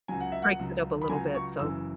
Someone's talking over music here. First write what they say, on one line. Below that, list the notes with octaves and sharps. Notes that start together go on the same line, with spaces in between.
breaks it up a little bit, so
C#2 C#3 F#3 G#5
F#5
E5
F#5
C#2 C#3 F#3
B5
C#2 C#3 F#3 G#5
C#6
F#1 F#2 C#3 E3 E6